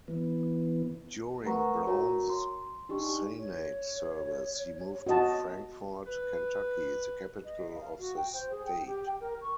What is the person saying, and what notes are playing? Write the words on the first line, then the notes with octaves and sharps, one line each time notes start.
During Brown's Senate service, he moved to Frankfort, Kentucky, the capital of the state.
E3 B3
A3 A#4 B4 F#5 A#5 C#6
F#4 A#4 C#5 A#5
C6
D4 D#4 G4 C#6
C#5
F#4 D#5 A5
B4
D#5
F5
F#4
G5
C5
G#4
G5
G4
G5
A#4
C#6